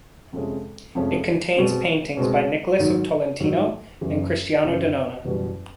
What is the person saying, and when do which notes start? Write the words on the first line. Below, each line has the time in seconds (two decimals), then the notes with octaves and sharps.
It contains paintings by Nicholas of Tolentino and Cristiano Danona.
0.33 F2 C3 F3 G#3 C#4
0.95 F2 C3 F3 G#3 C#4
1.56 B2 G#3 C4
2.17 B2 G#3 C4
2.78 G#2 D#3 F#3
3.40 G#2 D#3 F#3
4.01 F#1 E2 C#3
4.63 F#1 E2 C#3
5.24 F#1 E2 B2 G3